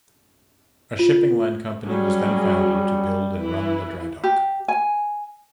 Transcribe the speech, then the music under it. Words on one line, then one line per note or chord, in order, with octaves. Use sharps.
A shipping line company was then founded to build and run the dry dock.
F4
F#3 G3 C#4 G#4
E3 E4 B4
G4
G#5